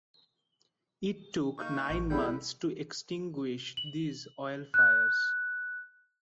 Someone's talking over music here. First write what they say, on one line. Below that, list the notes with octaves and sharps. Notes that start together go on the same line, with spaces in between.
It took nine months to extinguish these oil fires.
A#3 D#4 C#6 G6
A1
E3 G3 B3 E4 G#4 A4 G6
F#7
F#6